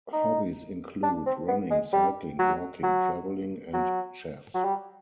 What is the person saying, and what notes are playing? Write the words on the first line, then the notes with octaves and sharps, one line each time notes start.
Hobbies include running, cycling, walking, traveling, and chess.
D#4
D4
C4
B3
G#3
G3
F#3
F#3
F#3
F#3
G3